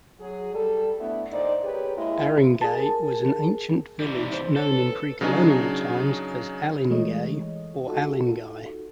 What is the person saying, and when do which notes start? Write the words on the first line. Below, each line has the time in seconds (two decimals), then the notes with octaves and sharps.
Aringay was an ancient village known in pre-colonial times as "Alingay" or "Alinguey".
0.20 F#3 G#4
0.54 G3 A4
0.99 A3 B3 D4 E4
1.32 A#2 D#4 C5 D5
1.63 G4 G#4 A#4 B4 C#5
1.97 G#3 A#3 E4
2.61 G#4 A#4 A5
4.00 C3 E3 G3
4.17 D#4
4.31 C5
4.56 A4 C#5
4.72 B4
5.21 C#3 F#3 D4 D#4 G#4
6.89 E3 G#3 A3 C#5 D#5
7.87 D#4 F4 F#4 A4